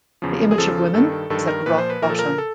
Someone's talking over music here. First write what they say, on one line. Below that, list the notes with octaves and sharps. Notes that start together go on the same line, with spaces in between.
The image of women is at rock bottom.
E2 C#3 F3
G#4
E2 C#3 F3 A4
G2 D#3 A4
G2 D#3 A4
A#4
A#2 F3 B4
C5
B4
A#2 F3 A#4
A4
A#4
A4